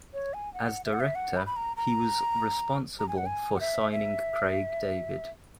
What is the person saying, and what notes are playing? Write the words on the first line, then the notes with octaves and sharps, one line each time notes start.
As Director, he was responsible for signing Craig David.
C#5
G#5
F#5
E5
F#5
E5
F#5
B5
B5
A#5
A#5
A#5
G#5
F#5
G#5
F#5
E5
E5